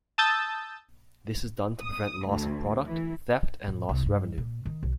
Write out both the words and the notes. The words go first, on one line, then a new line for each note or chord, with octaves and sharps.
This is done to prevent loss of product, theft and lost revenue.
A5 D#6 E6 G6 A6
D#6
D2
E3
A2
C2
G2
A#2
D#3
B1